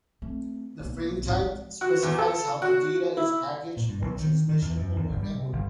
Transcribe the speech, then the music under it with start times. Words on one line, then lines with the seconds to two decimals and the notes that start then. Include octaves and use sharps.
The frame type specifies how the data is packaged for transmission over the network.
0.22 A3 C4
0.80 B1 A#3
1.23 C2 G#2
1.36 F3 G#3
1.81 F#4
2.02 E2
2.18 A4
2.62 F#4
3.17 E4
3.77 A#2
3.89 G2
4.02 B1
4.20 D#3
4.49 D#3
4.62 E2
4.77 F#2
4.96 E2
5.09 G1
5.23 G3
5.35 C3
5.53 G1